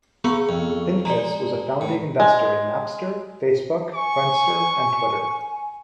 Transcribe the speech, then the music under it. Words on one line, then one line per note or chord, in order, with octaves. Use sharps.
Pincus was a founding investor in Napster, Facebook, Friendster, and Twitter.
B3 G#4 B4 C#6
F2
G#3 D5 A#5
A2
G#3
G#5 C#6